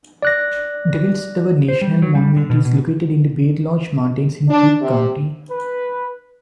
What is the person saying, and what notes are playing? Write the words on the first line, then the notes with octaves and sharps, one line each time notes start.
Devils Tower National Monument is located in the Bear Lodge Mountains in Crook County.
D5 F#6 A#6
C5
G3
F#3
G3
D3
B2
B2
D4
C3
B4